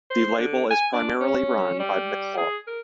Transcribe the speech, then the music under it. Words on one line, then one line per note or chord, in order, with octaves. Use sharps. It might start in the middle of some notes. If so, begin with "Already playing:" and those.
The label is primarily run by McClard.
C5
D3
G#5
D4
C#4
G3
G#4
A#4